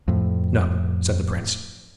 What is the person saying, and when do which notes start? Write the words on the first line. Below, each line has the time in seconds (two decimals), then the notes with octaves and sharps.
'No,' said the Prince.
0.08 F2 A2